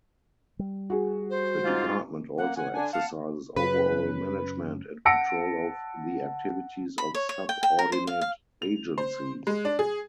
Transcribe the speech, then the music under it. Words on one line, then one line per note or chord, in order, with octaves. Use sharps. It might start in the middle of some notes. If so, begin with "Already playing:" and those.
The department also exercises overall management and control of the activities of subordinate agencies.
G3
F#4 G#4
C5
G#2 F4
A#3 F#5
F#5 G#5
D3 D4 G#5
F5 F#5 A5
F#2 C#3 B4
F#5 A5 E6 A#6 C#7 D7
B5
C#5
C#5
G5
G5
A#4
C5
F5
F5
F7
C5
G#3
D4
G#4